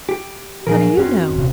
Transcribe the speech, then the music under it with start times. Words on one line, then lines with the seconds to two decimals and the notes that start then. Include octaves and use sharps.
"How do you know?"
0.09 G4
0.67 A#2 F3 F#3 G#4 A#4
0.97 F#2 C4 C#4 F#4
1.34 D#1 C3